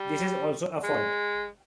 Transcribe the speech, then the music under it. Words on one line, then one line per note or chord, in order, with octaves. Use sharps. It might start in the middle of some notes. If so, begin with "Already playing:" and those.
This is also a "fault".
Already playing: G3
G#3